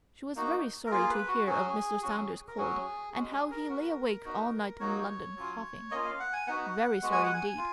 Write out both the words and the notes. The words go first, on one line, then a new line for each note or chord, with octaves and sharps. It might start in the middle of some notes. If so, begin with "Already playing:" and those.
She was very sorry to hear of Mr. Saunders's cold, and how he lay awake all night in London coughing; very sorry indeed.
A#3 D#4 F#4
A#4
A#3 F4 G#4
B4
F#4
F#3 C#4 F#4 G#4
F#3 C#4 F#4 G#4
A#4
F#3 C#4 F#4 G#4
G#3 C#4 F#4 G#4
G#4
A#4
B3 F#4
B3 D#4 F#4
F#3 A#3 D#4 F#4 C#5
F#3 C#4 F4
A#3 C#4 F4 D#5
F5
F#5
G#5
B3 D#4 F#4 F#5
G#3 B3 F#4
G#5
F#5
G#5
F4